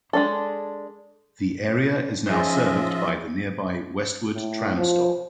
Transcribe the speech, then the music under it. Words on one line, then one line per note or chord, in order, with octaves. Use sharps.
The area is now served by the nearby Westwood tram stop.
G#3 D4 A4
F3 C#4 D#4 F4 G#4 C5 D#5 E5
A2
F3